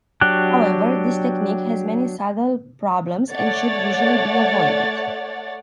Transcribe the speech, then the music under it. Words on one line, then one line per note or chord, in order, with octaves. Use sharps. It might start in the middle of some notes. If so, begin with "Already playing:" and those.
However, this technique has many subtle problems and should usually be avoided.
F#3 D4 F#4 G4 F#6
A3 C#5 D5 F#5 A6